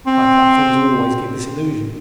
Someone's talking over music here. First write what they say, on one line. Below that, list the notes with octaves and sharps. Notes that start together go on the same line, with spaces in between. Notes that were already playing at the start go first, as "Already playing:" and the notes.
High platforms always give this illusion.
C4